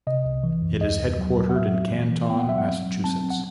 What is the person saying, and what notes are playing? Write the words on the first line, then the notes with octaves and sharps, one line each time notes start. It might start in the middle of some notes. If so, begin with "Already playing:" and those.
It is headquartered in Canton, Massachusetts.
C3 D#5
C2
E3
F#2
D#2 D#5
D#2
F#3
F#3
F#5
A2 E5
C4
E3
E3
B3 G5
F#5
F#3 E5
F#5
C4
F#3
C4 A5
C4
F#5